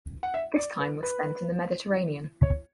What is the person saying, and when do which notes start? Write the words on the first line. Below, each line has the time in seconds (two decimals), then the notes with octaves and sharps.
This time was spent in the Mediterranean.
0.23 F#5
0.34 E5
0.56 D5
0.80 B4
1.03 B4
2.43 C#5